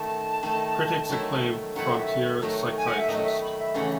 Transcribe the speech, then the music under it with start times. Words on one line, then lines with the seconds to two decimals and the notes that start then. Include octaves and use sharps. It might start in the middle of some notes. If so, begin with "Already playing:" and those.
Critics acclaimed "Frontier Psychiatrist".
Already playing: D#3 A3 D#4 A5
0.43 D#3 A3 D#4
1.09 D#3 F#3 A3 E4
1.75 D#3 F#3 A3 E4 F#5
1.97 E5
2.42 D#3 F#3 A3 D#4
2.78 G#5
2.87 F#5
2.98 E5
3.09 D#3 F#3 A3 D#4 D#5
3.24 E5
3.41 B5
3.59 E5
3.74 C#3 E3 A3 D#4 F#5